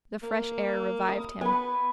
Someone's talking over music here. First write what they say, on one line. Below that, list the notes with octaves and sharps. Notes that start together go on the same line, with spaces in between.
The fresh air revived him.
A#3
D#6
B3 B4 G#5